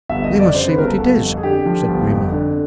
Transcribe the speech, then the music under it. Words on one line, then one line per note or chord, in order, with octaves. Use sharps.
"We must see what it is," said Grimaud.
G1 E5
D#5
F2
D5
C#3 C5
B4
G1 A#4
A4
G1
F2
G#4
D3 G4
F3
G1
F2
D3